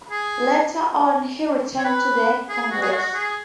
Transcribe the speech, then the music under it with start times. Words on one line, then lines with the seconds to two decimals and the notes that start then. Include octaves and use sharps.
Later on he returned to the Congress.
0.11 G#4
1.78 C#5
1.85 B4
2.49 G#4
2.71 F#4
2.82 G#4
2.92 F#4
3.14 G#4